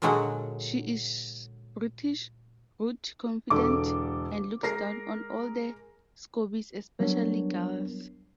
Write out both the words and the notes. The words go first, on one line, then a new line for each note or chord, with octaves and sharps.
She is British, rude, confident, and looks down on all the Scoobies, especially Giles.
A#2 D3 F#3 G#3 F#4 F#5
E1 D3 A4 D6
G#3 A#4 A#6 C7
F#3 G3 B3 D4 A#4 C#5